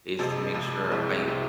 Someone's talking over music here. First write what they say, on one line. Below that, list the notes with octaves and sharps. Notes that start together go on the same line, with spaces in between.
is to make sure I
F2 C3 F3 G#3
F2 C3 F3 G#3
C2 C3 G#3 C4 E4
C3 G#3 C4 E4